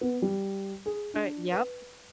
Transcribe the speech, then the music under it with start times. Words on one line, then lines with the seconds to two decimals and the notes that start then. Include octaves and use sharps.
Uh, yep.
0.01 B3
0.22 G3
0.86 G#4
1.14 D4
1.51 B4